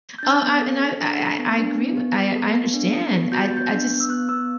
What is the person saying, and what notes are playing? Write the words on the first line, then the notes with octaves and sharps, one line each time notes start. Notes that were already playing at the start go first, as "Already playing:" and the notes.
Oh, I and I I I agree with I I understand. I I just
G6
D4 A6
B3
A4
A4
D4
A4
B3
D4
B3
B3
B3
A4
B3
D4
A4
B3
F#4 G6
A6
B3
G6
D4
B3
E6
B3 F#6
B3 E6